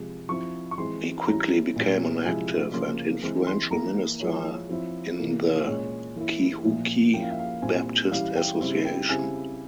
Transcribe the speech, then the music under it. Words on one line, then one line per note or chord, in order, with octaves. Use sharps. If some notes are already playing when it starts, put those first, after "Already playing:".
He quickly became an active and influential minister in the Kehukee Baptist Association.
Already playing: C3 F3 G#3
F3 C4 E4 C#6
C#6
E3 G#3 C4 C6
E3 G3 C#4 E4 A#5
A#2 G3 C#4
C3 F3 G#3 E4 G#5
C#3 F3 A#3 C#4 C6
E3 G#3 C4
C6
E3 A#3 E4 A#5
F3 G#3 E4 C#5
F3 C4 E4
C3 E3 A#3 E4
A#2 G#3 C#4 C#5
E3 A#3 E4
A#2 F3 A#3 E5
F3 A#3 C#4 E4 G5
F5
E5
F5
A#2 G3 C4 E4 G#5
E3 G3 C#4 E4 F5
G5
C#3 G3 C4 E4
G5
C#3 G3 C4 E4 G#5